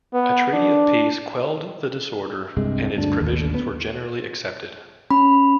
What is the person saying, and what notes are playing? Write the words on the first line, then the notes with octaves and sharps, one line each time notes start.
A treaty of peace quelled the disorder, and its provisions were generally accepted.
B3
D4
C2 G2 C3 G#3
D2 G2 D4
A1 D#2
B3
C#4 B5